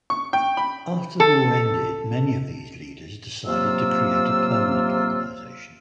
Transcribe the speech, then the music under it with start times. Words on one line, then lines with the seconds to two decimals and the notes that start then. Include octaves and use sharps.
After the war ended, many of these leaders decided to create a permanent organization.
0.10 C#6
0.33 G5
0.57 B5
1.20 A4
3.46 C3 F#3 A#3 F4 E6